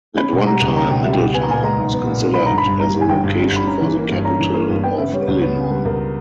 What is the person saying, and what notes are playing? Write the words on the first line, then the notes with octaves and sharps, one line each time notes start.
At one time, Middletown was considered as a location for the capital of Illinois.
C#4 B5
B2
G3 A#5
C#2
C#4 A#5
B2 G5
G3 E5
G5
C#2
B3 G#5
A#5
A#2 G#5
G#3 A#5
B1
B3
A#2
G#3
B1 B5
G1 A#5
B5
G2
G3 A#5
G1
G#5
G1 G5
G2
G3
G1 B5
C#4 A#5
E3
A#3
G2
C#4 A#5
E3
A#3
G2
B3 G5
C#3 E5
G3 C#5
B4
C#2 C#5
B3
C#3
G3 B4
C#2 A#4